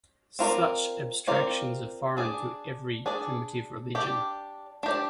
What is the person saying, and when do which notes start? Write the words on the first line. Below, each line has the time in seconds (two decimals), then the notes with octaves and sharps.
Such abstractions are foreign to every primitive religion.
0.39 C4 F4 A#4 D5
1.27 C4 F4 A#4 D5
2.17 D4 G#4 D5
3.06 D4 G#4 D5
3.95 D4 G4 D5
4.83 D4 G4 D5